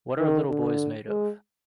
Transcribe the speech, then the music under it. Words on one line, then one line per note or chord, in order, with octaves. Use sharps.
What Are Little Boys Made Of?
D#3
D3
G#3